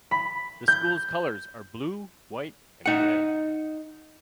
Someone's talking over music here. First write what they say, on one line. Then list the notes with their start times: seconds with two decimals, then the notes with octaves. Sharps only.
The school colors are blue, white, and red.
0.11 B5
0.68 G6
2.86 D#4 F#5